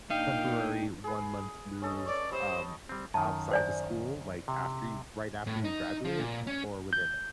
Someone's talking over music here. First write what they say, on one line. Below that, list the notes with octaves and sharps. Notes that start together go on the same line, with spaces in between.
temporary one-month move, um, outside the school, like, after you right after you graduate or within it?
A#2 D4 D#4 F5 G5
G#4 B4
C#4 A4 D#5
C#5 D5
G3 C5 D#5
G3 C4
F#2 D#3 A5
C5 D5 G#5
C3
A2
D#4
F3
A#2
C#4
G6